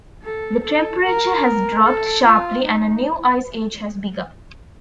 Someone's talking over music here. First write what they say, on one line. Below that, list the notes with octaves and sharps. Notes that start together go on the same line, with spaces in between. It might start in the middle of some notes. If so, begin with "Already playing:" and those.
The temperature has dropped sharply and a new Ice Age has begun.
A4
A4
A#4
A4
F4
D#4